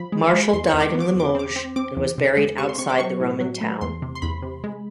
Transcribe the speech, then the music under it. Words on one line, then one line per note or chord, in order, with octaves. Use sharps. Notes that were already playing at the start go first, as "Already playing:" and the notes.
Martial died in Limoges and was buried outside the Roman town.
Already playing: F3 B5
G#3
G#3
B5
E2 C6
C#6
E2
D6
B3
D6
E2 D6
C4 D6
C4
C4 D6
E2
C3
G#3
C3 C#6
C6
C3 C#6
D6
F#3 C#6
A2
F#3
A3
E2 C6
C3
C6
E2 B5
C3
G#3